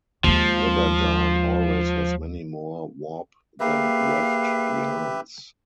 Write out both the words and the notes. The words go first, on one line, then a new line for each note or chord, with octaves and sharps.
Gabardine always has many more warp than weft yarns.
D#2 F3 G#3
A#3 G4 G#4 A#4 B4 E5 F5